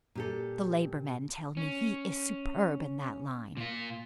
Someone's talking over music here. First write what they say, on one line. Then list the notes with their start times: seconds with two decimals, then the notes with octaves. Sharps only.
The Labour men tell me he is superb in that line.
0.15 A#2 G4 A4
1.57 C#4
3.57 A#2 F4